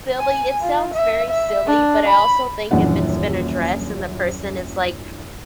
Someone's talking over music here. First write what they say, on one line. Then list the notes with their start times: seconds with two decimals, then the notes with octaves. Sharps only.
silly. It sounds very silly, but, I also think if it's been addressed and the person is like
0.19 G#5
0.62 F4
0.94 E5
1.30 E5
1.67 D4
2.08 B5
2.71 D#1 A#1 F#2 E3 D4 F#5